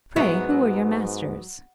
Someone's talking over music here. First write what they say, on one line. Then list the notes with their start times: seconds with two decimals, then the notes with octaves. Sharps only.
Pray who were your masters?'
0.16 G#2 F#3 B3 E5